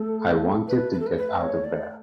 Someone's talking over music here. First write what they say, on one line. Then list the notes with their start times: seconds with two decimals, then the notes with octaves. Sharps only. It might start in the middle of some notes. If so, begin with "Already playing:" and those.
I wanted to get out of there.
Already playing: A3 A4
0.68 B4
0.93 B4
1.00 A4
1.07 B4
1.17 B4
1.41 C#5
1.64 D5